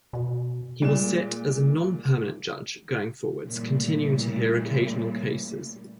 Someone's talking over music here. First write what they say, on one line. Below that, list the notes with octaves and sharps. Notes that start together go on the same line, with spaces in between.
He will sit as a Non-Permanent Judge going forwards, continuing to hear occasional cases.
B2
A#2 G3 G#3 E7
A#2 C#3 E3 G3 A3